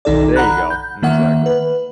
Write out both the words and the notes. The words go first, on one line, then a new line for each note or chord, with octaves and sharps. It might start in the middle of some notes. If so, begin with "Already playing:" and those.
There you go. Mm, exactly.
B1 D#3 D#4 A4 D5
F#5 A#5 B5 F#6
G6
D#3 A#3 E5 F#5
B4